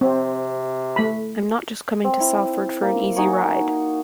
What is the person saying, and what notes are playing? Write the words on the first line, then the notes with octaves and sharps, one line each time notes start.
I'm not just coming to Salford for an easy ride.
C3 C4
A3 B5
C4
E4
A#3
D#4 F#4 G#5 C#6